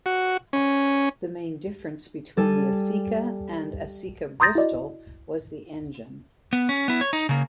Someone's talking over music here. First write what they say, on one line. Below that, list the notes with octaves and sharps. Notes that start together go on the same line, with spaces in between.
The main difference between the Aceca and Aceca-Bristol was the engine.
F#4
C#4
G3 A4 G#5 D#7
A#5 C6 D#6 G6 A6 A#6
E4 F#4 D5 D#5
B3
C#4
B3 E4
C#5
D#4
C#3 A#3